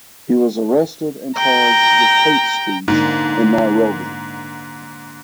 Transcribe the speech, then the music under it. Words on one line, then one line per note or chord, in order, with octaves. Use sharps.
He was arrested and charged with hate speech in Nairobi.
G5 A#5
G#2 D3 A#3 D4